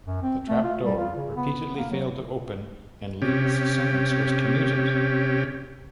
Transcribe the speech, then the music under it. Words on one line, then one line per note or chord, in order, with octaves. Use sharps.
The trap door repeatedly failed to open and Lee's sentence was commuted.
F#2
C4
A3
F4
G3
F4
C#3
B3
A#3
F#3
C3 C#4 G4